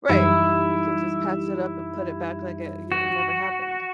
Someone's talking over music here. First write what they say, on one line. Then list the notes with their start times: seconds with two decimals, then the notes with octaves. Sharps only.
Right. You can just patch it up and put it back like it y it never happened
0.09 F#2 E3 G3 D#4 E4 G4
2.92 F#4